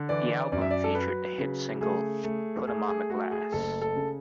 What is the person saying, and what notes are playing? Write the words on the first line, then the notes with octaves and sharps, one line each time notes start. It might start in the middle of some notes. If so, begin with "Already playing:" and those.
The album featured the hit single Put 'Em On The Glass.
Already playing: D3
E3 D5
F#2 D5
E5
D5
A4
F#3 B4
C#3
A3 G#4
A3
A3 G#4
G#4
A3 F#4
G#4
F#1 A4
A4
C#3